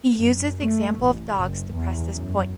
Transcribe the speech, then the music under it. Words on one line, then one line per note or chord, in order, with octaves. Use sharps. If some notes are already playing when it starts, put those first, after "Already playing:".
He uses the example of dogs to press this point.
F#2
A3
A1
F#1
E2
F#2